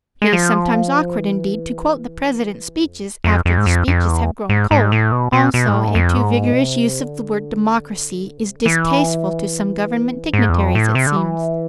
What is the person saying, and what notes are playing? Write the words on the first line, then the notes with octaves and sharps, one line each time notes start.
It is sometimes awkward indeed to quote the President's speeches after the speeches have "grown cold." Also a too vigorous use of the word "democracy" is distasteful to some government dignitaries, it seems.
G#3
F3
E3
F2
F2
F2
G#2
F2
F2
E2
G#2
G#2
A2
B2
B2
B2
G#2
A2
G#2
F2
G#2
B2
C3
D3
B2
C3
D3
E3
G#2
E2
F2
A2
C3
D3
E3